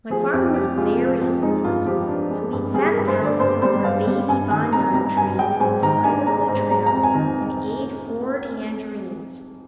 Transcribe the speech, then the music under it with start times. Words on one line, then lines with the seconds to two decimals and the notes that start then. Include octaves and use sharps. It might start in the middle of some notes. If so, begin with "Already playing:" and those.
My father was very hungry so he sat down under a baby banyan tree on the side of the trail and ate four tangerines.
0.10 F3 G#4
0.32 F2 G4
0.54 C3 G4
0.77 G#3 F4
0.98 F3
1.21 F2
1.42 G#3 D#4
1.64 G2 F4
1.86 F3 G4
2.08 D4
2.30 G#3
2.53 G2
2.74 G3 G#4
2.92 A#4
2.97 G2
3.08 C5
3.19 D3
3.25 D5
3.40 G2 C5
3.62 G3 C5
3.84 G2 F5
4.07 G3
4.29 G2 G#5
4.50 D#3 G#5
4.72 C4 A#5
4.94 G3 A#5
5.16 G2 G#5
5.38 G#3 G5
5.60 G#2 G#5
5.82 D#3 A#5
6.04 D4 G#5
6.27 G#3 A#5
6.48 G#2 A#5
6.70 G#3 A#5
6.86 A#5
6.92 F2
7.03 G#5
7.14 D#3